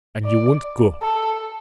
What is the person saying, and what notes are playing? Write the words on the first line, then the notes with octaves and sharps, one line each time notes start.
And you won't go?
D5
A4